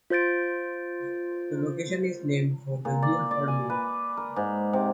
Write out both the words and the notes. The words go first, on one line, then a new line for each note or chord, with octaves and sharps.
The location is named for the Guilford Mill.
F4 C5 G6 A6 D7
A#2
D5
D5
G#5
B4
A#4
G#2
C3